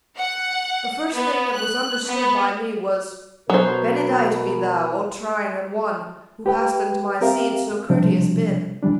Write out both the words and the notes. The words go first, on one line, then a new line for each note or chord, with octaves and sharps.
The first thing that was understood by me Was "Benedight be Thou, O Trine and One, Who hast unto my seed so courteous been!"
F#5
B3
F#6
B3
B2 F#3 A#4 C5
G4 B4 G5
C4 G4 A#4 E5 F5
C3 F3 G3 D4
C2 E3 G3 D4